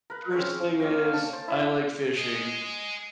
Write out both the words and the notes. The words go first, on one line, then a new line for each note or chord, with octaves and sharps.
First thing is I like fishing,
A#4 B4
C4 C#4 G#4 C#5
A#3 C#4 F5 G5
D5 A5
C5
E4 C#5 E5 F5
G#4 D#5